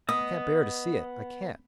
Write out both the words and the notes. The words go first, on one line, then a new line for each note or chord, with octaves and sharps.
I can't bear to see it!--I can't!
B3 D#5 D#6